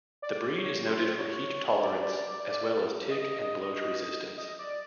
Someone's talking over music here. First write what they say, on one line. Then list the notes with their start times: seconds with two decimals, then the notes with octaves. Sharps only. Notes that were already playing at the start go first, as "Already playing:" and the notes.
The breed is noted for heat tolerance, as well as tick and bloat resistance.
0.22 D5
0.53 C#5
0.86 C5
1.18 C#5
1.82 D5
3.10 D#5
4.38 D#5
4.59 D5